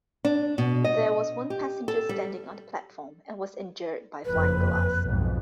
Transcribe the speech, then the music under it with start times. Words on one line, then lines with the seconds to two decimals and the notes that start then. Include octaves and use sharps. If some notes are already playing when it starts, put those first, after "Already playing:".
There was one passenger standing on the platform and was injured by flying glass.
0.25 D4
0.58 B2
0.84 D#5
1.50 G4
1.88 A4
2.09 G3
4.25 F#1 F2 B4
5.04 B1 F2 G#2